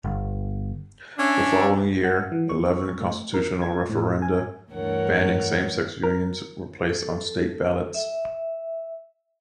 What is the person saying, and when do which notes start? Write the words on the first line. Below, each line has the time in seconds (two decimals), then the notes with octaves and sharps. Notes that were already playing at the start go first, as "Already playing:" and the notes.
The following year, eleven constitutional referenda banning same-sex unions were placed on state ballots.
0.04 G1
1.18 C#4 D4 D5 E5
2.04 F#5
2.32 E3
2.49 C#6
3.00 A3
3.34 A#4
3.62 G#6
3.89 A2
4.22 G#5
4.72 D2 G2 E3 A#4 C#5 F#5
6.03 A#4
6.89 A4
7.95 E5